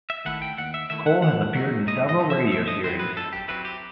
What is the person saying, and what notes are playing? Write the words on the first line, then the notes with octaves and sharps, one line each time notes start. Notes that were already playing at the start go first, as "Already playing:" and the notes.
Cole has appeared in several radio series.
E5
D#3 A3 E4 F#5
G5
D#2 F#5
E5
D#3 A3 E4 E5
F#5
A2 F#5
F#3 A3 D#4
A2 D#5
D#5
F#3 A3 D#4
E5
F#2 E5
D#5
F#3 C4 E4 C5
B4
F#2 A4
G4
F#3 C4 E4 B4
G4